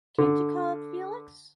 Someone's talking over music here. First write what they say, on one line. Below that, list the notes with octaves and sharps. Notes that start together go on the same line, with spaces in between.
Can't you call up Felix?
D3